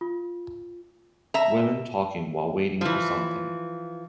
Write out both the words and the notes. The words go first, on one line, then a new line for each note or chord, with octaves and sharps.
Women talking while waiting for something.
F4
E5 A#5
E3 F3